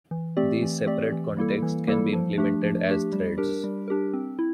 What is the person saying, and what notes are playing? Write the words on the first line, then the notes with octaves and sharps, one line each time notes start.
These separate contexts can be implemented as threads.
E3
A3 C4 G4 D5
E3
A3 C4 G4 D5
E3
G3 A#3 E4 A4
E3
G3 A#3 E4 A4
F3
A3 D4 G4
F3
A3 D4 G4
G3
D4 G4 A#4
G3
D4 G4 A#4
C4
E4